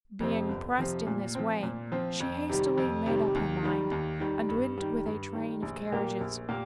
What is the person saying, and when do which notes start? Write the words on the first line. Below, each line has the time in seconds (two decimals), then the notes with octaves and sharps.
Being pressed in this way, she hastily made up her mind, and went with a train of carriages.
0.20 F2 C3 F3 C4
0.49 G1
0.78 F2 C3 F3 C4
1.07 A#2
1.35 F3 C4
1.63 A#2
1.92 F3 C4
2.20 F2
2.49 C3 D#3 G3
2.78 F2
3.06 C3 D#3 G3
3.35 D#2
3.63 D#3 G3
3.91 D#2
4.20 D#3 G3
4.49 G2
4.78 D#3 G3
5.06 G2
5.35 D#3 G3
5.62 A#1
5.92 A#2 A#3 G4 A#4
6.21 A#1
6.49 A#2 A#3 G4 A#4